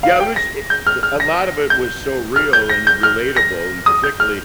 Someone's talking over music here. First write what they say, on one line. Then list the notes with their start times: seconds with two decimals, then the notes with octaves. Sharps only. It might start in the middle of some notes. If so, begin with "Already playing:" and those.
Yeah, it was, eh uh, a lot of it was so real and y relatable, and particularly,
0.03 F5
0.20 G5
0.36 A#6
0.70 G6
0.87 F6
1.03 F6
1.20 A#6
1.70 G6
2.36 F6
2.53 G6
2.69 A#6
2.87 G6
3.03 F6
3.37 A#6
3.86 D#6
4.04 G6
4.20 F6